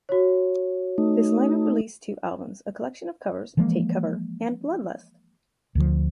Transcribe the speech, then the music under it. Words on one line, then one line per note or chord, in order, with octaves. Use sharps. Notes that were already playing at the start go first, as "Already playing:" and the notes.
This line-up released two albums, a collection of covers "Take Cover" and "Blood Lust".
F#4 C#5
A3 D#4
E3 F3 G#3 A#3
D2 D3 F3